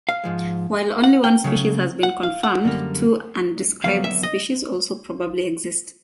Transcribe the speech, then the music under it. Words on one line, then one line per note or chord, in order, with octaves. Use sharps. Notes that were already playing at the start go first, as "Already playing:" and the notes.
While only one species has been confirmed, two undescribed species also probably exist.
F5
G#2 F3 G#3
F#5
G5
C#3 F#3 A3
F#5
F5
F#5
F#2 D3 G3 A#3
F2 D3 F#3 B3 F5
E5
D#5